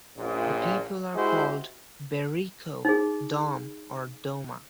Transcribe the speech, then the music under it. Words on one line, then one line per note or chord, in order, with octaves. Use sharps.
The people are called Bericho, Dom, or Doma.
A#1 F#2 A#2
G#3 E4 F#4 G4 C5
D#4 G#4